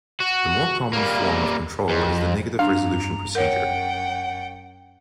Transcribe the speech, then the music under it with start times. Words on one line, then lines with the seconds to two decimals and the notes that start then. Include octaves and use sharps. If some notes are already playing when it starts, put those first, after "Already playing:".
The more common form of control is the negative resolution procedure.
0.20 F#4
0.93 G3 A#3
1.89 F2
2.59 G2 D4 F5 A#5
3.35 F#2 A#4 C#5 F#5 G5